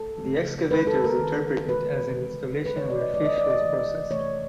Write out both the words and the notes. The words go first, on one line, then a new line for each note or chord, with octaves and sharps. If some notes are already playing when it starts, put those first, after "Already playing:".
The excavators interpret it as an installation where fish was processed.
Already playing: A4
C#3 F#3 A3
D#3 G#3 B4
A4
A#4
D#3 G#3
C#3 E3 G#3 B4
C#3 E3 G#3
D#3 G#3 B4
C#5
D5
D#5
D#3 G#3 D5
D#5
D5
D#5
C3 E3 A3
C3 E3 A3 C#5